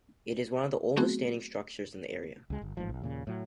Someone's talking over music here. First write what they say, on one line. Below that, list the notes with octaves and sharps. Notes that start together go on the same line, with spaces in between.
It is one of the oldest standing structures in the area.
F#3 A3 B3 C4 F#4 G#4
C#2 G#3
G1
A1 G#2 F3
B1
D#2 A#2 C#3
A2 F#3